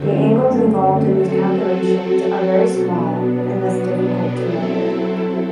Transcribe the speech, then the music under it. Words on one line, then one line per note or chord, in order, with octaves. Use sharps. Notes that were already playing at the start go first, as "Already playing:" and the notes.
The angles involved in these calculations are very small and thus difficult to measure.
Already playing: F#2 D3 A3 C4
F#3 C4 F#4 A4
B2 F#3 B3 D4
F#3 C4 E4 A4